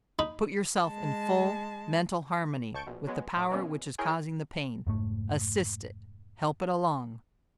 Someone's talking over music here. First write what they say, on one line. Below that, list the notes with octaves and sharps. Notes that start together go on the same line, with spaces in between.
Put yourself in full mental harmony with the power which is causing the pain; assist it; help it along.
D#4 B5
G#3 A5
C#2 A5 C#6 G6 D7
A#1 B2
F#3 G#3 B3
A2 D6
B2 E3 G#3 A#3 B3 C#4
E4 G#4 A#4 C#5 G5 G#5
F1 G#2 A3